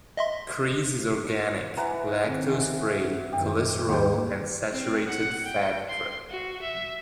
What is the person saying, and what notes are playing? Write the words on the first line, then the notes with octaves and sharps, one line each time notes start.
Chreese is organic, lactose-free, cholesterol and saturated fat-free.
D#5 E5 C6
E3 F#5 A#5
D#3 C4
F#2 D#3 G4
D#2 G#2 G3 G5
C4
F#5
G5
C6
F#4
E5